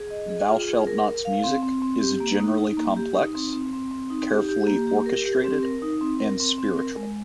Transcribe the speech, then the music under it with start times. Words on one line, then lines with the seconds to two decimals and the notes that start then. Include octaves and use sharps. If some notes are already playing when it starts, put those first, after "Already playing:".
ThouShaltNot's music is generally complex, carefully orchestrated, and spiritual.
Already playing: G#4
0.11 D#5
0.29 G#4
0.49 F4
0.67 G#4
0.87 A#4
1.06 A#4
1.25 F5
1.44 C4
1.63 C4
1.82 C4
2.01 G4
2.20 A#3
2.40 D#4
2.58 D#4
2.77 A#3
2.97 G4
3.16 D#4
3.35 C4
3.53 C4
3.73 C4
3.91 C4
4.10 D#4
4.30 G4
4.49 G4
4.67 A#3
4.87 G4
5.06 A#4
5.26 G4
5.44 C4
5.63 A#4
5.82 D#4
6.01 C4
6.20 A#4
6.40 C4
6.58 C4
6.78 A#4
6.96 G#3